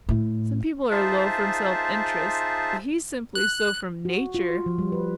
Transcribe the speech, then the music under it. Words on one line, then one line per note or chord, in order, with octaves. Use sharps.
Some people are low from self-interest, but he's simply so, from nature.
A2
D#4 F4 G#4 C5 E5 A5
F#6
F#4
F4
F3
G3
B4